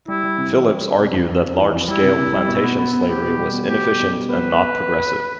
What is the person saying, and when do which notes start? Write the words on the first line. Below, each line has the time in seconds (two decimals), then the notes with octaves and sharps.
Phillips argued that large-scale plantation slavery was inefficient and not progressive.
0.08 G3 E4
0.24 G3
0.37 C3
0.53 E3
0.68 G3
0.83 G3
0.98 C3
1.13 F2
1.29 F2
1.43 F2
1.58 E3
1.73 F2
1.88 G3 E4
2.03 C3
2.18 C3
2.33 G3
2.48 B2
2.64 B3
2.78 B3
2.93 B3
3.09 B3 G4
3.23 B2
3.38 G3
3.54 B3
3.69 B2 G4
3.83 G3
3.99 B2
4.13 G3
4.29 B3 B4